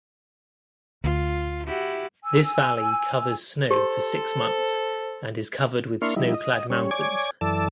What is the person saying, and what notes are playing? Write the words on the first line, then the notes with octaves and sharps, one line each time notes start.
This valley covers snow for six months and is covered with snow clad mountains.
D2 F4
E4 F#4 G4
G#5 E6
G4 A4 C5
A#3 D4 E4 C6 C#6 F6
F3 G3 D#4 E4
D#5
G3 C#4 C#5
C#5 D5 G#5 D6 G#6
F#2 E3 A4 D5 A5 E6